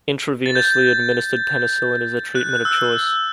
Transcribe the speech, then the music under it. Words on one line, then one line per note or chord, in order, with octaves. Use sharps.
Intravenously administered penicillin is the treatment of choice.
A6
G6
F#6
F#6
E6